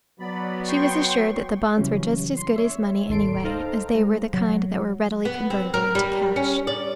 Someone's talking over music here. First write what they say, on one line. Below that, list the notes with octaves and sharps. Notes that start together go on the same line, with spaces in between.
She was assured that the bonds were just as good as money, anyway, as they were the kind that were readily convertible into cash.
F#3 B3 D5 B5
G5 C6 C#6
C#3 E3 F#3 G3 C#4
C6
C#5 E5
A1 D#2 A4 C6 D7
D#4 A4 C5 F5 A#5
G#3
F#3
B3
C4
A#4
G3
C#4
D5